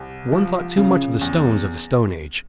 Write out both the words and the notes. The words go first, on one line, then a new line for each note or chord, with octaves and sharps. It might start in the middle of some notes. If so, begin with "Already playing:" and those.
One thought too much of the stones of the Stone Age.
Already playing: C2
F3
C#3
E2